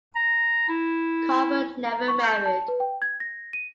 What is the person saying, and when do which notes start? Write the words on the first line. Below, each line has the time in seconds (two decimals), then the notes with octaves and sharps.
Carver never married.
0.15 A#5
0.68 E4
1.87 A#5
2.08 C#6
2.23 G6
2.46 A5
2.68 B4
2.80 G5
3.02 G#6
3.20 A#6
3.53 D#7